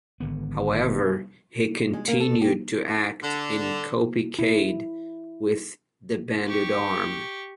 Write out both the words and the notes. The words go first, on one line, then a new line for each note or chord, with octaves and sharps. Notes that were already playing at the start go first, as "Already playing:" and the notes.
However he continued to act in "Kopi Kade" with the banded arm.
G#1 D3 B3
G#3
A#3
A4
G4
D3
E4
G4 C#6